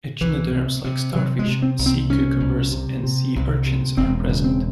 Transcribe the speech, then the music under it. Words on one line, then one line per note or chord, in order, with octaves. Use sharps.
Echinoderms like starfish, sea cucumbers and sea urchins are present.
C2 E3
C3
C3
C3 F#3
G#3
C3
C4
C2
C4
C2 C#4
C2
C3
C3
C2
C3
E1 C4
C#3
C4